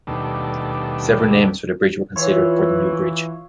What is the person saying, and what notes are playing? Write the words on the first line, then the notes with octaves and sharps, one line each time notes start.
Several names for the bridge were considered for the new bridge.
D#2 B2 G3 A3 D4
E3 F4 C#5 E5